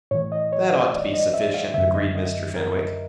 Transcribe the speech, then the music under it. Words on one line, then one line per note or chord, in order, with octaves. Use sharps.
"That ought to be sufficient," agreed Mr. Fenwick.
A2 E3 C#5
D#5
C#5
C5
D5
D#5
E5
F5
F#2 D3 E5
D#5
D#5
A#4